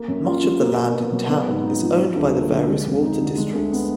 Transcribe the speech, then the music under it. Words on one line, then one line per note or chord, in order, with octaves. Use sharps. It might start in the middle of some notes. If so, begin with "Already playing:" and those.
Much of the land in town is owned by the various water districts.
Already playing: A#3
F#2
F4
F3
A#3
B2
B2
F#3
B3
G#2
D#4
F3
F#3
D2
A#3
D3
G#3
F2
D#4
D3
G#3
D2
B3